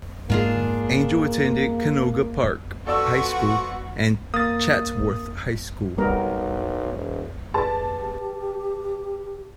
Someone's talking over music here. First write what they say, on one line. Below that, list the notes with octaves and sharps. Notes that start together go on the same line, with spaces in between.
Angel attended Canoga Park High School and Chatsworth High School.
G#2 G#3 A#3 D4 F4 G#4
F3 B3 F#4 A4 D5 C#6 E6
A#3 D#6 A6
B1 G3 B3 A#4
E1
G4 G#4 B4 D5 A5